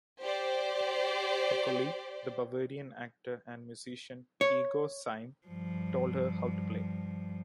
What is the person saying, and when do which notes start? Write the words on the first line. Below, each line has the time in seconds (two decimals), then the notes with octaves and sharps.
Her colleague, the Bavarian actor and musician Igo Sym told her how to play.
0.22 G4 C5 D5
4.41 C#5
5.47 G2 F3